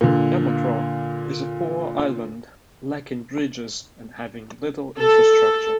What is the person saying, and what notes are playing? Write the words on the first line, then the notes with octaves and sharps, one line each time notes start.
Yamacraw is a poor island lacking bridges and having little infrastructure.
A#2 D3
A4